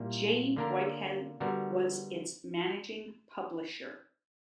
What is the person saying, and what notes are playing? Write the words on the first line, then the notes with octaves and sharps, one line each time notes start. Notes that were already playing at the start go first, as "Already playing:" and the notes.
Jay Whitehead was its Managing Publisher.
Already playing: A#2 G3 A#3 E4
D3 A#3 D4 A#4
D3 G3 B3 F#4 A#4